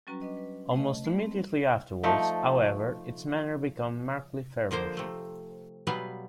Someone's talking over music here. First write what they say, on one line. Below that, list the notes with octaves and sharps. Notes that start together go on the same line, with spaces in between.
Almost immediately afterwards, however, its manner became markedly feverish.
F#3 G3 C#4 F#4 B4 A#5
D4 B4 D#5
B4
A3 D#5
A3 B3
C4
F3 A3 D#4
D3 F3 A#3 C5
C3 A3
B2 F#3 G3 B3 B4 F5